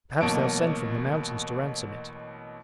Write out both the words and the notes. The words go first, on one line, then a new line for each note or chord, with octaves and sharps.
Perhaps they'll send from the mountains to ransom it.'
A1 B2 F#3 A#3 A5 D7